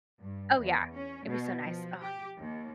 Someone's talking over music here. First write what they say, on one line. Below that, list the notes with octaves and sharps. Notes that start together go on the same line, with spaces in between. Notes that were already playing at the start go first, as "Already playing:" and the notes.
Oh, yeah. It'd be so nice, ugh.
G2
E2
C#4
B2
F3
G4
D#2